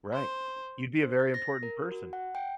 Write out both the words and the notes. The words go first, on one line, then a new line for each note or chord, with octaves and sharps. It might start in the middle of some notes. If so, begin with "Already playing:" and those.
Right, you'd be a very important person.
C5
C5
A6
A#6
A#4
F#4
F#5
G5